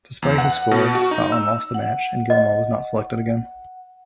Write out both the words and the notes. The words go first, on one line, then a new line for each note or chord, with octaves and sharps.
Despite his score Scotland lost the match and Gilmour was not selected again.
E2
F#5
B2
F#4
D#4
E6
F#5
D#5